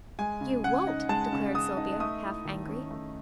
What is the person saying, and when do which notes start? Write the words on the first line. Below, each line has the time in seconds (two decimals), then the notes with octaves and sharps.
"You won't!" declared Sylvia, half angrily.
0.19 G#3 G#5
0.41 C#3
0.64 C#3 F#5
0.87 D#4
1.09 G#3 A5
1.33 C#3
1.55 C#3 D#6
1.77 D#4
2.00 A3 D#6
2.23 E4
2.45 D#3
2.68 C#4
2.91 A3